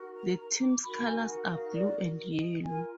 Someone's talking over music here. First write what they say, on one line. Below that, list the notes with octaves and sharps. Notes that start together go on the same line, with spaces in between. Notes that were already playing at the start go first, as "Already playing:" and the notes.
The team's colors are blue and yellow.
Already playing: D#4 F#4 A#4
A#5
A#5
D6
D#4 F#4 A#4 B5
G#5
F#5
F5
D5
D#5
F4 A#4 G#5